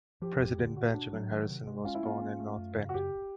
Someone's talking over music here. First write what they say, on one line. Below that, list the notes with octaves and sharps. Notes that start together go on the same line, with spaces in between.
President Benjamin Harrison was born in North Bend.
F3 G4
F2
D3
A#2 F#4
D4
F#3
D#3
C3
G#3
C#4 F4
E4
A#3 F4
C#4
A3
F#2
C#3
F#4
F#2 G4